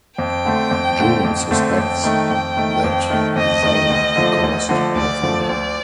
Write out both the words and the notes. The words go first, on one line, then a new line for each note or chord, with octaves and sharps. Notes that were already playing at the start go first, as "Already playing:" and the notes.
Jun suspects that Zeng caused the fire.
F2 G5
D3 A3 C4
F2
D3 A3 C4
F2
D3 A3 C4
F2 G5
D#3 A3
F2 G5
D#3 A3
F2
D#3 A3
F2 D#5
D#3 A3
D2
D3 F3 A3
D2
D3 F3 A3
D2 D5
D3 F3 A3
D2 D5